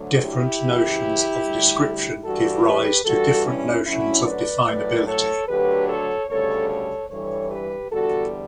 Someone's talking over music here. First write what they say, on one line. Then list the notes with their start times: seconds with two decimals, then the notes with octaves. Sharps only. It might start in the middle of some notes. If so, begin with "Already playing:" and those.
Different notions of description give rise to different notions of definability.
Already playing: D2 D3 F#3
0.21 E4 G4
0.62 F#2 C#3 E3
1.42 D2 D3 G3
2.24 G2 E3 G3 F#4 A4
2.64 G4 B4
3.05 G2 E3 G3 F#4 A4
3.46 C#4 E4
3.86 D2 D3 F#3 C#4 E4
4.26 B4 D5
4.67 A2 F#3 B4 D5
5.08 A4 C#5
5.48 D2 D3 F#3 G4 B4
5.88 A4 C#5
6.29 D2 C#3 G3 A4 C#5
6.70 A4 C#5
7.11 G2 E3 G3 A4 C#5
7.51 G4 B4
7.91 E2 D3 G3 F#4 A4